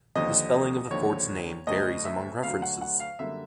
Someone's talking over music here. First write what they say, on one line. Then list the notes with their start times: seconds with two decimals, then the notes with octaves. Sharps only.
The spelling of the fort's name varies among references.
0.15 D#2 D3 F3 D#5
0.90 D#2 D3 F3 C#5
1.67 D2 D3 F#3 D#5
2.05 E5
2.43 D2 D3 F#3 F5
2.62 F#5
2.81 F#5
3.00 F5
3.19 F#2 D3 G3 A#3 E5